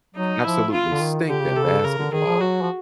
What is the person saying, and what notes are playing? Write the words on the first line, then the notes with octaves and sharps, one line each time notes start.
absolutely stink at basketball.
F#3 D#4
F3 E4
F4
D3
D#3
D3 G4
C#3
C3 A4
C#3
C#3 A#4
D3
D#3 G#4
F3
F#3 F#4
F3